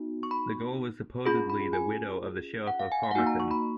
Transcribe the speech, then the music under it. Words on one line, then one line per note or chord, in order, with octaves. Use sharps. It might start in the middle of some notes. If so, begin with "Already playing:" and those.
The girl was supposedly the widow of the sheriff of Carmarthen.
Already playing: B3 D#4 F#4
C#6
B5
C#4 F4 G#4 B5
B5
G#5
F#5
F5
G#5
F5
F#5
A#3 D#4 F#4 G#5
A#5
C#6
B5